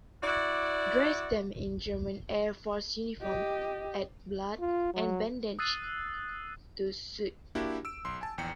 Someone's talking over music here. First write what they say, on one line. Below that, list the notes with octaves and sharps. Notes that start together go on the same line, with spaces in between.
Dress them in German Air Force uniform, add blood and bandages to suit.
E4 F#4 D5
G4 D#5
F4
F#3
D#6 E6 F#6 A6 C7 D#7
A#3 D4 E4 F#4 G4
E6 D7
B1 C6
G#5 A5
A#1 E2 G5 A#5 C#7